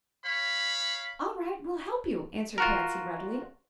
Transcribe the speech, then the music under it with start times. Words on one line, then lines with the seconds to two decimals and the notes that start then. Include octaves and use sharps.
"All right; we'll help you," answered Patsy, readily.
0.23 C#5 F5 B5
2.58 F4 F#4 A#4